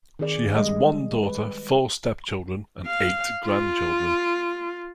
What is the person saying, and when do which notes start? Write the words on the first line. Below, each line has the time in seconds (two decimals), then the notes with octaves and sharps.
She has one daughter, four stepchildren and eight grandchildren.
0.19 D#3 C4 G#4 D5
0.56 G3 G#3 D#5
1.23 B4
2.87 F5
3.46 F4